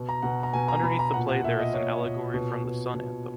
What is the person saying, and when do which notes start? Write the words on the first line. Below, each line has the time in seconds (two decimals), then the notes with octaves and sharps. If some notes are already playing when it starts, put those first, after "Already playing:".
Underneath the play there is an allegory from the “Sun Anthem”.
Already playing: B2
0.09 A#5
0.23 B2 F#5
0.43 A#5
0.53 B2 G#5
0.68 A#5
0.83 B2 B5
0.99 A#5
1.14 A#2 F#5
1.29 F#5
1.43 A#2 E5
1.59 D#5
1.74 A#2 C#5
2.04 A#2
2.34 B2
2.64 B2
2.94 B2